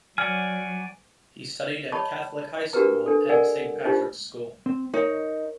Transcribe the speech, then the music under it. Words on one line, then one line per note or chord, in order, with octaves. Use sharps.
He studied at Catholic High School and Saint Patrick's School.
F#3 D5 F#5 G#5 F6
C#5 D#5 A5 B5 C#6
D4 F#4 G4 A#4 B4 A#5
D4 A4
A#4 D5 D#5 F#5 G#5
D4 D#4 F4 G4 C5
C4
D#4 A#4 C#5